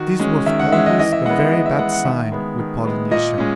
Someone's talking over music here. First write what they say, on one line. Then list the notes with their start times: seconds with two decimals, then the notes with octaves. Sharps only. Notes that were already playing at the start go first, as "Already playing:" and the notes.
This was always a very bad sign with Polynesia.
Already playing: D#3 F#4
0.19 G#3 C#4
0.46 D#3 E5
0.60 F#5
0.72 G#3 C#4 E5
0.86 D#5
0.99 E3 D#5
1.12 E5
1.25 G#3 B3 F#5
1.39 E5
1.52 E3 D#5
1.66 E5
1.79 G#3 B3 F#5
1.92 F#5
2.05 D#3 E5
2.32 G#3 B3
2.58 D#3
2.85 G#3 B3
3.11 A#2 D#5
3.38 G#3 C#4